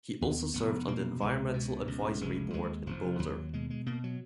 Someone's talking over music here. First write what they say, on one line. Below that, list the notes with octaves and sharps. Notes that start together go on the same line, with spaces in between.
He also served on the Environmental Advisory Board in Boulder.
D#2 B3
F1 B3
B2 A#3
C#2 G#3
B2
C#2
F1 G#3
D#2 G#3
F1 F3
D#2 F#3
B2 G#3
G#3
B2 A#3
F#3